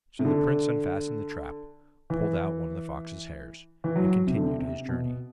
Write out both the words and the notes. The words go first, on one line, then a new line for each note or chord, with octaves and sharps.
So the prince unfastened the trap, pulled out one of the fox's hairs, and continued his journey.
C3
D3
E3
E3
F#3
C3
D3
C3
C3
B2